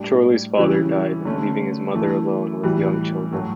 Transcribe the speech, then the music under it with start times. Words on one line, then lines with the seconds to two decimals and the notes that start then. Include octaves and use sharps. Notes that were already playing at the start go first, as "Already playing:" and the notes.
Chorley's father died, leaving his mother alone with young children.
Already playing: A2 G3 D4
0.57 C#3 E3 G3 C#4 E4
1.25 D3 A3 C#4
1.94 E3 A3 E4
2.64 A2 E3 G3
3.32 A2 F#3 A3